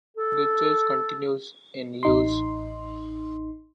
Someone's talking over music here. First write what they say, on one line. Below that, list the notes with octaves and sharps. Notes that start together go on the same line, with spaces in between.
The church continues in use.
A4
A1 D#4 C6